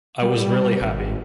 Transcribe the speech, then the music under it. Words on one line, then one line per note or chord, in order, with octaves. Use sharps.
I was really happy.
G3
G#1